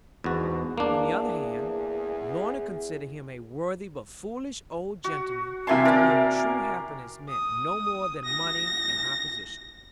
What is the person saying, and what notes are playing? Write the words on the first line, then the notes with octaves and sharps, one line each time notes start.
On the other hand, Lorna considered him a worthy but foolish old gentleman; to whom true happiness meant no more than money and high position.
E2 G#2 B2 F#4
E2 A#3 D4 G#4
F#4
C3 A#3 E4 G#5 A5 C6
A#4 D5
D#6
A#6